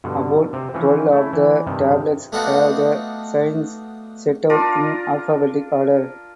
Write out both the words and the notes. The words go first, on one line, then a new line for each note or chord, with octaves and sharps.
About twelve of the tablets have the signs set out in alphabetic order.
G2 B2 D3
C3 C4
E3 F3 C4 C#4
A3 E4
E3
G2 C3 D#3
A3 B3 D4 D#4 F4 F#4
D4 F4 A#4